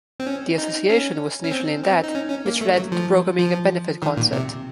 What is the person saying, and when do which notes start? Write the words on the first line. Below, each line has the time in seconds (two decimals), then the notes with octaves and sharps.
The association was initially in debt, which led to programming a benefit concert.
0.20 C4
0.27 C#4
0.58 D#4
0.90 C#4
1.44 C#4
1.51 C4
1.84 C4
2.03 D#4
2.15 C#4
2.30 C#4
2.46 A#3
2.61 A3
2.76 F#3
2.92 F3
3.39 F3
4.02 D#3
4.17 A#2
4.33 C3